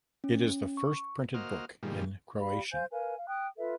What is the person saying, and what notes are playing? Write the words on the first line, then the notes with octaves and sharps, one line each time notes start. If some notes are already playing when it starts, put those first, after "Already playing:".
It is the first printed book in Croatian.
C#4
C#6
A#3 F#4 C5 D#5 F6
G2 A#2 D#3 F3 G3 G#3
G4 D5 F5 B5
C5 F5 G#5 G6
A#4 B4 F5 G#5
F5
G5 D#6 F#6
F4 A4 B4 E5